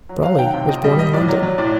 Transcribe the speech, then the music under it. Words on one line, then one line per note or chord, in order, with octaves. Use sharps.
Brolly was born in London.
F#3
F#3 F5
D#3 G5
F#5
C3 G5
A#2 D#5
G3 D#5
G3 D#5
A2 D5
F#3
F#3
A2 D5